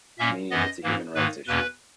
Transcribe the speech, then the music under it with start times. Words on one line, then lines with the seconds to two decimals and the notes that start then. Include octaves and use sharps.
To me, it's a human rights issue.
0.18 A#2 A#3 C#4 E5
0.51 F#2 E3 B3 D#5
0.83 G#2 E3 A#3
1.15 G#2 D#3 A#3 B4
1.47 E2 B2 A#3 C#4 B4